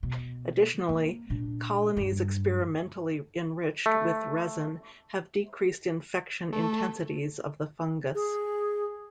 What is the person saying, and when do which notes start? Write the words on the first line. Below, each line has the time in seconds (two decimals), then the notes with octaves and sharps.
Additionally, colonies experimentally enriched with resin have decreased infection intensities of the fungus.
0.03 B2
0.89 A#3
1.30 A#2 D4
1.97 G2 F#3
3.86 A3
6.53 A3
8.15 G#4